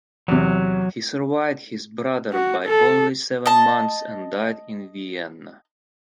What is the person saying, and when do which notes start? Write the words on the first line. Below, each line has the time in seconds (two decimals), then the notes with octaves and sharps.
He survived his brother by only seven months and died in Vienna.
0.28 E2 C3 F#3
2.33 F#4
2.66 A4
3.46 D#5 A5